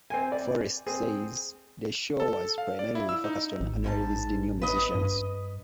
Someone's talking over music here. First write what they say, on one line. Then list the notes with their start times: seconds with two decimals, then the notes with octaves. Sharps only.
Forrest says, The show was primarily focused on unreleased new musicians.
0.10 C4 G5 G#5
0.32 D5
0.87 C4 G#4
2.20 A4
2.58 F5
2.79 D5
2.95 E4
3.09 E6
3.24 D#4
3.60 A1
3.84 G#2 B4 A5
4.62 B4 D#5
4.95 G2